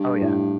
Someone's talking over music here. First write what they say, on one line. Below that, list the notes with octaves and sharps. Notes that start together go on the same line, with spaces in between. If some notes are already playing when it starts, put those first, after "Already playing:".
Oh, yeah.
Already playing: G2
A2